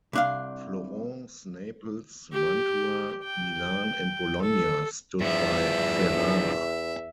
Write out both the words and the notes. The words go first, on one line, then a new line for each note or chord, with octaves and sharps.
Florence, Naples, Mantua, Milan, and Bologna stood by Ferrara.
C2 D4 F5
G4
G5
A4
E2 G2 F3 E5